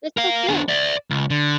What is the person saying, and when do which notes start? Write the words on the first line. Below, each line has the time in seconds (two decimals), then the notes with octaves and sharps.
That's so cool.
0.17 A#4 F5
0.48 B3 D4
0.69 D5 E5
1.11 C#2
1.30 D3